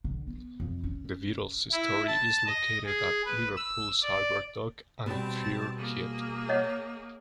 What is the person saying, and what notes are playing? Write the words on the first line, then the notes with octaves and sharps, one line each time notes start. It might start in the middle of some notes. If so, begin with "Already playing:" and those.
The Beatles Story is located at Liverpool's Albert Dock and Pier Head.
D3
B3
F2
C#4
E4
A5
D#5
G#4
B4
E6
D5
B2 G3 C4 A5
A#3 G#4
C#5 D#5 F#5